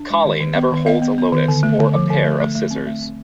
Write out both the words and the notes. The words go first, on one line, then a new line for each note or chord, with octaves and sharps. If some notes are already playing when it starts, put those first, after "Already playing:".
Kali never holds a lotus or a pair of scissors.
Already playing: D4
G#3
D#3
D#3
B3
D#3
B3 D#5 F5
B3
B3
D#3
D3
A3
D3
F3
D3
A3
A3
A3
C4
A3
C4